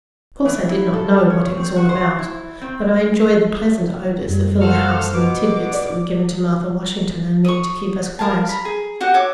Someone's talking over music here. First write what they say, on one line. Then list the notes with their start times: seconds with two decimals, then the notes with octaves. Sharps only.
Of course I did not know what it was all about, but I enjoyed the pleasant odours that filled the house and the tidbits that were given to Martha Washington and me to keep us quiet.
0.45 E3
0.69 E4
0.93 A4
1.30 C#5
1.57 C4
1.76 F#4
1.89 C5
2.19 E4
2.61 C4
4.26 F#2 G3
4.61 A#3 F#4 A4 C5 F6
5.13 B2 D6
5.73 D5
7.45 C#6 D#6
8.19 A#4 F5 G#5 A5
8.49 A#5 B5
8.65 G#4
9.01 F#4 G4 F#5
9.14 C#5 E5 D6